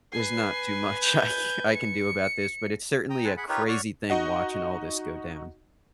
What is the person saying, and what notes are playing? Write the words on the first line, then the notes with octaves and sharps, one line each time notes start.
There's not too much I ca I can do about this, but it's certainly a crazy thing watching all this go down.
B4 G#5 C7
G6
C#7
G5 A#5 D#6
C4 B4 G#5 A5
G#4 F#5 B5
D#4 F4 G4 A#4 B4 C#5
F#4 C#5 D5 F#5 C#6 F6
D#4 F#4 D#5 F#5